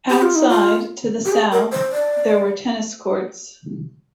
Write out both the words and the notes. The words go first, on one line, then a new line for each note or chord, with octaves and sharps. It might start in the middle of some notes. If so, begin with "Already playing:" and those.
Outside, to the south, there were tennis courts.
G4
F4
D#4
F4
G4
G#4
A#4
C5
D5